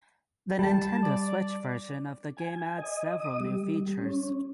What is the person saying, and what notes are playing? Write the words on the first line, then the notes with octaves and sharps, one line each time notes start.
The Nintendo Switch version of the game adds several new features.
G3 A5
D5
G#5
D#5
D#6
G3
C#4